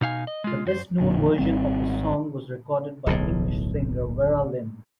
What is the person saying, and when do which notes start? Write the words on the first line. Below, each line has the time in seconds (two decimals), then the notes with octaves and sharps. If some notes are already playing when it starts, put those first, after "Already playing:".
The best-known version of the song was recorded by English singer Vera Lynn.
0.01 B2 D#4 F5 G#5
0.27 D#5
0.44 G#3 F4
0.65 F#2 F#4 C5
1.00 A1 F2 A#2 D3
1.39 G#1 G3 C4
3.06 D1 B1 A2